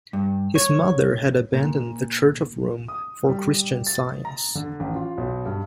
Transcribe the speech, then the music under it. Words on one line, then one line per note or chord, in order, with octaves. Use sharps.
His mother had abandoned the Church of Rome for Christian Science.
G2
C#5
A#2
D#6
G3
G3
A6
A#5
D3
A1
F4
B1
G2